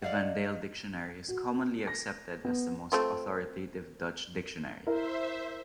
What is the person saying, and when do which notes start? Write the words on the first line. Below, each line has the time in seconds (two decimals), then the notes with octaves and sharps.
The Van Dale dictionary is commonly accepted as the most authoritative Dutch dictionary.
0.02 D5 D#5 F5 F#5
1.28 F#4
1.87 A#6
2.45 B3
2.92 A3 C4 F4
4.87 E4 A#4 C5 E5